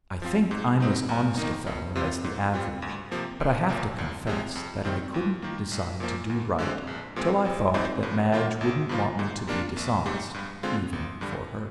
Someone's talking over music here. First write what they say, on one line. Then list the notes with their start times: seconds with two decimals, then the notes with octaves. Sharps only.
I think I'm as honest a fellow as the average, but I have to confess that I couldn't decide to do right till I thought that Madge wouldn't want me to be dishonest, even for her.
0.22 F3 C4 F4
0.51 G#2
0.80 G3 C4 D#4
1.09 D#2
1.37 D#3 A#3 D#4
1.67 F2
1.95 C3 G3 C4 F4
2.24 G#2
2.54 G3 C4 F4
2.82 D2
3.11 C3 F3 A#3
3.40 C2
3.69 A#2 F3 A#3
3.98 C2
4.27 C3 F3 G#3
4.55 F2
4.85 D#3 G3 C4
5.14 D#2
5.43 D#3 A#3
5.71 A#1
6.00 A#2 F3 A#3
6.30 D2
6.59 D3 G#3 C4
6.87 A#1
7.16 A#2 F3 G#3 C4
7.45 G#1
7.74 G#2 F3 C4 D#4
8.03 G2
8.32 D#3 A#3 F4
8.61 G#1
8.89 G2 F3 A#3 F4
9.19 G#2
9.47 G3 A#3 D4 F4
9.76 A#1
10.06 G#2 G3
10.34 G2
10.63 D3 G#3 C4 F4
10.93 G#1
11.21 G2 D3 G3